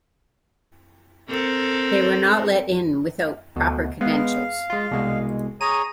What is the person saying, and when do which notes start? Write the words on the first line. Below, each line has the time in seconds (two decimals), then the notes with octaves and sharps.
They were not let in without proper credentials.
1.29 C4 A4 A#4
3.56 D2 B2
4.01 G#3 B3 F5
4.70 G#3 F4
4.91 C2 B2 G#3
5.61 G#4 C#5 A#5 D#7